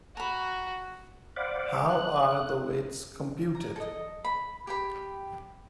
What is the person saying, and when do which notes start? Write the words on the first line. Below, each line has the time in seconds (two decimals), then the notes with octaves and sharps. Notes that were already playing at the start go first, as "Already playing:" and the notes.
How are the weights computed?
0.17 F#4 A#5 B5
1.36 C5 D5 F5 F#5 B5 D6
1.89 F#6
3.55 A#5
3.76 A4 D#5
4.24 B5
4.67 G4 G5 B5